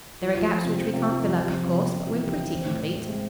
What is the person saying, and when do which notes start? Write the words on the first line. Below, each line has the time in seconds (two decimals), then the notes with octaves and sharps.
There are gaps which we can't fill up, of course, but we're pretty complete.
0.22 F3
0.36 F3
0.51 F3
0.64 C3
0.79 F3
0.93 C3
1.08 F3
1.22 F2
1.36 G3
1.51 C3
1.65 C3
1.79 C3
1.94 C3
2.08 E3
2.23 G3
2.36 E3
2.51 C4
2.65 A2
2.79 C4
2.93 C4
3.08 G#3